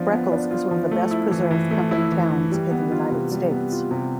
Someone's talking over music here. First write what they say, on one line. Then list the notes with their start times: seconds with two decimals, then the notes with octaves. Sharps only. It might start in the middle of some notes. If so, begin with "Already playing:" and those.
Spreckels is one of the best-preserved company towns in the United States.
Already playing: F3 B3 D4 F4
0.11 B3
0.32 D4
0.51 F4
0.71 F3
0.91 A3
1.11 E4
1.31 E3
1.51 E3
1.71 A3
1.91 E4
2.12 E3
2.31 E3
2.51 G3
2.71 B3
2.92 F4
3.11 C3
3.31 G3
3.51 B3
3.72 F4
3.91 C3